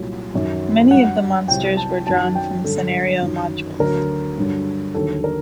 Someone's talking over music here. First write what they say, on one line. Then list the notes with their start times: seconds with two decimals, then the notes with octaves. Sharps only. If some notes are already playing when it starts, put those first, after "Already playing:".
Many of the monsters were drawn from scenario modules.
Already playing: C2 A#2 F#3
0.33 F#2 D#3 F#3
0.91 G2 F#3 F#5
1.48 C2 C3 F#3 G5
1.77 A5
2.06 F#2 D#3 F#3 A5
2.35 G5
2.64 G2 D3 F#3 A4
3.22 F#2 D#3 F#3
3.79 D2 D3 F#3 A#4
4.38 G2 D3 F#3
4.94 D#2 D3 F#3 A4
5.24 A#4